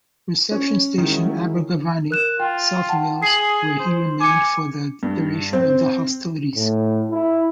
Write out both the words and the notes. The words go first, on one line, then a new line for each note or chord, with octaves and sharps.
Reception Station, Abergavenny, South Wales where he remained for the duration of the hostilities.
C#4
D#3 F#3 G#3 E4
A#4 F#6 E7
F4 G5
F#5 G5 A5
G#4 C7 F#7
C5
G#5 D6 C#7
G2
C4
A2
E4